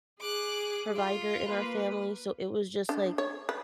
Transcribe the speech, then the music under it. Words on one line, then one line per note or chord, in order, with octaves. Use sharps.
provider in our family, so it was just, like,
G#4 D6 F#6
F4
A#3 B4
D4
C#5
B4